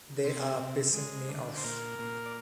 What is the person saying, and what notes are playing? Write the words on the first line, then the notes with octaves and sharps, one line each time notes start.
They are pissing me off.
C3
C3
G#3
D3
C5
A#2 A#4
A#2
D5